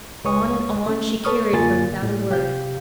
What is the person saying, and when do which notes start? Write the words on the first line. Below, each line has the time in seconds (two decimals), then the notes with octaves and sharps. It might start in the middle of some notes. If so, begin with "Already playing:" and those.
On and on she carried her without a word.
0.24 C#2 G#3 B4 C#5 C#6 D#6
0.86 A3 C#4
1.24 A4 B4 C#5 C#6 D#6 F6
1.53 F#2 D3 A#3 F4 G#5 A6
2.02 A2
2.30 C3 G4 F5 G6